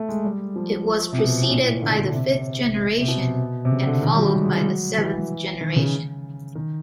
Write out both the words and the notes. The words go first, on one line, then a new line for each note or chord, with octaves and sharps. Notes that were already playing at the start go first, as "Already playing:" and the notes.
It was preceded by the Fifth Generation, and followed by the Seventh Generation.
Already playing: A3
G#3
G3
F3
C3
B2
B2
A#2
A2
D3
D3
C3
C3
B2
C3
C#3
D3
D#3
G3
F#3
G3
G#3
G#3
G3
F#3
E3
D#3
C#3
D#3